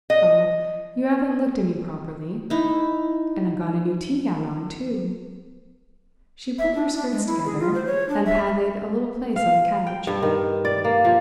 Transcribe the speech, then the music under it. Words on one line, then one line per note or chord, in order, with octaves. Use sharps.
"Oh, you haven't looked at me properly, and I've got a new tea-gown on, too." She pulled her skirts together and patted a little place on the couch.
D#5
D#4 E4
E5
D4
D4
G#3
E4
G#4
F4
C5
C#5
D4
E5
F5
G5
G2
D#3
D5
A#3
F3